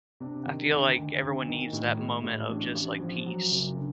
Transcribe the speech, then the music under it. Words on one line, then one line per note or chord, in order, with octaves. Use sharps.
I feel like everyone needs that moment of just, like, peace,
C3 D4
D#3
D2
D2
D2
D#3
A2
G#3
A2
A1 D4
A1
F3
F#3
F#1
D3